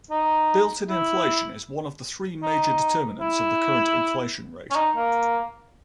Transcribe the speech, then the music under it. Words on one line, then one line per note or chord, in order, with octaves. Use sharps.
Built-in inflation is one of three major determinants of the current inflation rate.
D#4
E4
D#4
E4
C#4
D#4
A#3